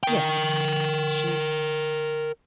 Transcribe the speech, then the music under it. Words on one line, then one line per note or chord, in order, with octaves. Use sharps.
"Yes," said she.
A#4 G5